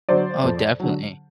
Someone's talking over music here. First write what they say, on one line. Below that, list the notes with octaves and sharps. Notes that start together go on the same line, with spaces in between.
Oh, definitely.
D3 F#3 C5 D5
F2
D3 F#3